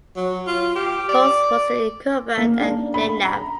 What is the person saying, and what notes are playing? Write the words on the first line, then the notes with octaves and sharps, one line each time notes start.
Bowles was the incumbent at Nenagh.
F#3
F4
G4
D5
A#3
D4
B5
A#5